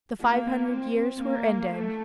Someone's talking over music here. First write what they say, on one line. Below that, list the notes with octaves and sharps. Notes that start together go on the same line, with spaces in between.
The five hundred years were ended.
A#3
C4
A#3
A3